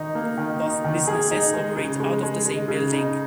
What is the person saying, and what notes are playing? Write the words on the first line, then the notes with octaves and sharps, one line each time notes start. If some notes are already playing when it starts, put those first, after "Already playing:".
Both businesses operate out of the same building.
Already playing: D#3 D#4
A#3
D#3
D#4
D#3
G#4
D#4
G#3
C#3
G#3
G#3
G#3
C#3
D#4